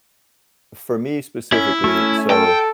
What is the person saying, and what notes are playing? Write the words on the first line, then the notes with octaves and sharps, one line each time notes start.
for me specifically, so
C#4 E4
A3 C#4
A4 G5